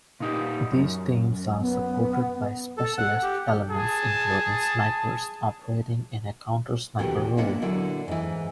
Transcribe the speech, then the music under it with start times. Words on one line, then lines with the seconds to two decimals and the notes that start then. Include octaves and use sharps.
These teams are supported by specialist elements including snipers operating in a counter-sniper role.
0.20 A#2 D#4 G4
0.72 F#2
1.61 B3
2.78 A4
2.98 F#5
3.23 G4
3.71 G#4 A5
6.98 D2 B2 D#3 E3 A3 G4
7.37 G#3 A#3 B3 D4 E4 F#5
7.62 A#2 D3 F#3 E4 D5
8.08 G#2 E3